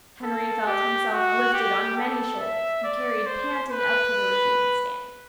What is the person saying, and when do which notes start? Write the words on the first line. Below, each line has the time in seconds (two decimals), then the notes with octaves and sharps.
Henry felt himself lifted on many shoulders and carried panting up to the reviewing stand.
0.23 A4
0.67 G4
1.11 F#4
1.53 G4
1.97 A4
2.40 E5
2.84 D5
3.26 C5
3.71 B4